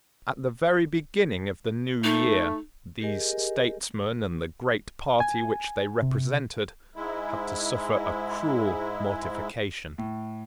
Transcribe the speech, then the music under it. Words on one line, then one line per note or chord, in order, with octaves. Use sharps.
At the very beginning of the new year these statesmen and the great party which they represented had to suffer a cruel mortification.
A3 D#4
G4 G#4 A#4 D#5 G#5
G#5
C3
G#2 G#3 E4
A2